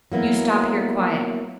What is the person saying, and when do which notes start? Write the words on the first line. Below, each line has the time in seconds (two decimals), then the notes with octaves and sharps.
You stop here quiet.
0.12 F#3 A#3 B3 E4